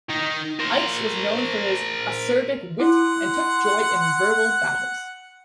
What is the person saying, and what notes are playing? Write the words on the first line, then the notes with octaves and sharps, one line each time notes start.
Ickes was known for his acerbic wit and took joy in verbal battles.
D#3 D#4
A#4 C5
E4 F#5 C6